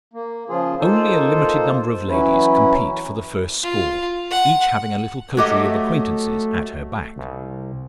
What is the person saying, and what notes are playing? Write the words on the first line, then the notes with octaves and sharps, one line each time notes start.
Only a limited number of ladies compete for the first score, each having a little coterie of acquaintances at her back.
A#3
C#3 F3 F4 G#4
A#3 D#4 F4 A4 C5
E3 F#3 C#4 E4
F4
F#5
F#3 A3 G4 D#5
C2